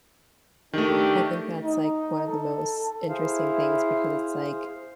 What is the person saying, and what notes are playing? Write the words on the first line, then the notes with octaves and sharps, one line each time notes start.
I think that's, like, one of the most interesting things because it's, like,
D#3 A3 D4 G4
D#4
A4
E4 G#4 C5 F5